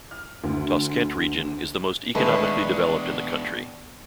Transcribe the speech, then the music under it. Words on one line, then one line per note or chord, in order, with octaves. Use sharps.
Toshkent Region is the most economically developed in the country.
F6
D2
E2 B2 D3 D#3 G#3 A3 B4